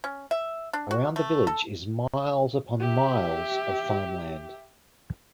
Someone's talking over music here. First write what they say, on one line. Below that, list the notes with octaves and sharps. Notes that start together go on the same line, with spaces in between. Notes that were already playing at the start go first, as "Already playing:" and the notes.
Around the village is miles upon miles of farm land.
C#4
E5
D4
F#4
A3
A4
G4 E5